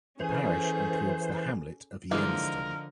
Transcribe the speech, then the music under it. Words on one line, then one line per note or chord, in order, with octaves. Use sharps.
The parish includes the hamlet of Yenston.
E3 C#4 G#4 A4 C5
D3 E3 F3 G#3 A#3 D#4 F4 A#4